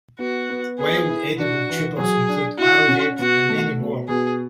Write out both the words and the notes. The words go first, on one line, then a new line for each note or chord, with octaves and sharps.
Wild edible tubers include arrowhead, and many more.
B3 F#4
B3
G#4 B4
E4
D4 F#4
E3
F#3 G#4
D4
E4 F#4
C#4
B2 F#4
A3
B2
B2 G#4